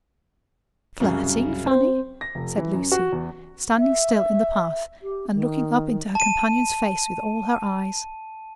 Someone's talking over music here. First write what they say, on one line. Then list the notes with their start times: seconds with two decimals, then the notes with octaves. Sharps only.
"Flirting, Fanny!" said Lucy, standing still in the path, and looking up into her companion's face with all her eyes.
1.00 C2 F#2 C#3
1.67 C4 C5
2.21 A#6
2.35 F1
2.58 E3
2.74 F#2
2.92 F#4
3.12 E2
3.78 E5
5.02 G4
5.34 D#3
6.15 A5 D#7